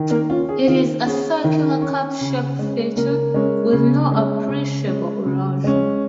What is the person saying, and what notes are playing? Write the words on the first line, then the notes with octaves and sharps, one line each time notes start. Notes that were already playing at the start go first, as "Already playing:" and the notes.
It is a circular, cup-shaped feature with no appreciable erosion.
Already playing: D#3
A#3 A#4
C#4 F4
G#4
D#3 F4
C#4 G#4
D#3
C#4
C#3
G#3 C#4
C#3 A#3 A#4
G#3 C#4
C#3
G#3 C#4
C#3
G#3 C#4
C#3
G#3 C#4